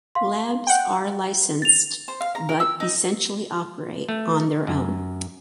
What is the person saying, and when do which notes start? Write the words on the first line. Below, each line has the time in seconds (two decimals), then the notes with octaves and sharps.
Labs are licensed but essentially operate on their own.
0.15 F5 C6
0.67 F#5 G5
1.62 A6 F7
2.08 C5
2.21 F5
2.35 A#5
2.49 A#4
2.60 E6
2.80 D#4
4.09 A3
4.67 F#2